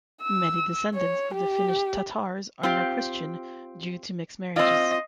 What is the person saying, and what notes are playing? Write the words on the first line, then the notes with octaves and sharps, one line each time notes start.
Many descendants of the Finnish Tatars are now Christian due to mixed marriages.
E6
C#5
G4
C4 F4 G4
C4 F4 D#5